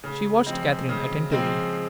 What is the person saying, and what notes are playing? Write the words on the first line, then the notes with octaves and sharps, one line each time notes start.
She watched Catherine attentively.
C#3
F3 G#3 C4
C#3
F3 G#3 C4